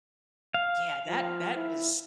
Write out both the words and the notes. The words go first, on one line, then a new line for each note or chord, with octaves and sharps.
Yeah, that that was
F5
F3
E4